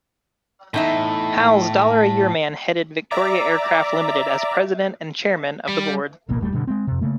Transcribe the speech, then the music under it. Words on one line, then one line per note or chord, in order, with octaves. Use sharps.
Howe's "dollar-a-year men" headed Victory Aircraft Limited as president and chairman of the board.
E2 A2 D#4 E5
D5 E5 A#5 D6
G3
D1 A1 B2 A#3
E1 G3 A3
G2 B2 D3
G#3 B3 C4
F2 C3
C#3 A3 A#3